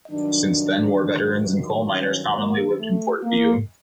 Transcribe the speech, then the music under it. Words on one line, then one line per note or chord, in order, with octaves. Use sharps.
Since then, war veterans and coal miners commonly lived in Port Vue.
G2 D#3 F#3 D4
C#4
A#3
A3
A#3